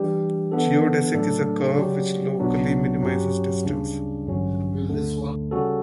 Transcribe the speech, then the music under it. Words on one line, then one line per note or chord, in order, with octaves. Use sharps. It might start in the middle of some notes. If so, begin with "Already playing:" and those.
Geodesic is a curve which locally minimizes distance.
Already playing: E3 G3 D4 G4
E3 B3 D4 A4
A2 F#3 A3 D4 A4
C#3 F#3 C#4 G4 D5
B1 B2 F#3 B3 D4
G2 F#3 C#4 G4
D2 C#3 G3 D4
A1 G2 D3 F#3 C#4
D2 D3 A3
C#3 G3 C#4 F#4 A4